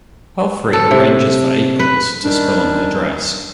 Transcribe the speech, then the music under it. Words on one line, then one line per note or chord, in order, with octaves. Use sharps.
Palfrey arranges for April's to spill on her dress.
A4
C3
B4
D#3 G3 C#4 D4